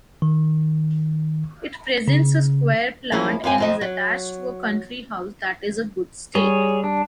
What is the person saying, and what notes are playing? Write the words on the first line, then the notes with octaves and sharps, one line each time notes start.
It presents a square plant and is attached to a country house that is a good state.
D#3
C#3
F3 A#3 C#4 E4 G#4
F#2 C4 F5 G#5
F2 F3 D#5
F#3
G3 G#4 C#5
D4